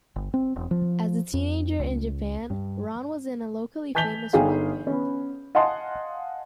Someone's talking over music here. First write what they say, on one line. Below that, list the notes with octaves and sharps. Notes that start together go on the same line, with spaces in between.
As a teenager in Japan, Ron was in a locally famous rock band.
G1
C4
E1
F3
F2
C#2
G2
G#5 A5 G6 B6 F7 G7
G1 D#4 G#4 F5 G5
B3 C#4
D#5 F5 F#5 G#5 A5 C6